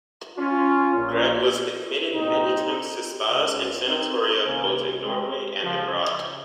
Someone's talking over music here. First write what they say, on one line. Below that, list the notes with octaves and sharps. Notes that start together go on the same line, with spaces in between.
Grieg was admitted many times to spas and sanatoria both in Norway and abroad.
C#4 F4
A#1 A#2
C2 A#2 C4 D#4
C#2 C#3
C4 D#4
C2 C3 D#3 A#3 C#4
G#3 C4
C#2 C#3 F3